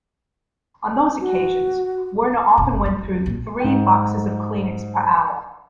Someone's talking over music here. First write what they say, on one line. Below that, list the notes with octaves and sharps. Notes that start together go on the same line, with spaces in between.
On those occasions, Werner often went through three boxes of Kleenex per hour.
F#4
F1 B1
F#1
F#3 A3
D#2
A#1 A#2
G#2 G5